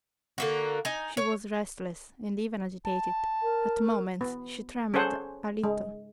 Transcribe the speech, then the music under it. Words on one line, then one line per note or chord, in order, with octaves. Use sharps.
She was restless and even agitated; at moments she trembled a little.
D3 A#3 F#4
D#4 G#5
C#5
A5
A#4
B3
C#4 G#4 A4 C5 F#5
G#3